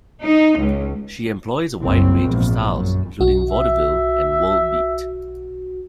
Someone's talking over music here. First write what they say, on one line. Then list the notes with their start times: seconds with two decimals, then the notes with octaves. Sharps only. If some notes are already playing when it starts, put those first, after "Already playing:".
She employs a wide range of styles, including vaudeville and world beat.
0.22 D#4
0.58 C#2
1.80 F#1 C2 C#3 C4
2.21 A#1 E2 G#2
2.73 F#2
3.20 B1 F#4
3.50 E5